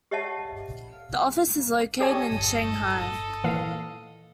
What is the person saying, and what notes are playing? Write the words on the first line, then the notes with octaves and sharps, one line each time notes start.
The office is located in Shanghai.
G4 C#5 D#5 E5 F#5 A5
G4 A4 C#5 D#5 G#5
A#2 E3 F5